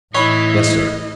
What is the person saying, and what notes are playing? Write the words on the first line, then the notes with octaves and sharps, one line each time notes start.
"Yes, sir."
A2 E3 E4 C#5 D#5 B5